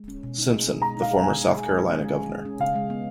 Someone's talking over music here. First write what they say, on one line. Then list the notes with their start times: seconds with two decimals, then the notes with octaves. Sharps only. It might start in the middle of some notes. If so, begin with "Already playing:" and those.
Simpson, the former South Carolina Governor.
Already playing: G#3
0.08 C#4
0.23 B2
0.38 D#4
0.53 G#4
0.68 G#3
0.82 B2 A#5
0.97 D#4
1.02 F5
1.11 G#4
1.22 G#5
1.27 G#3
1.42 G#3
1.56 G#4
1.71 G#3
1.86 C#4
2.01 G#3
2.15 G#4
2.30 G#3
2.45 C#4
2.60 C#3 F5
2.75 G#3
2.90 B3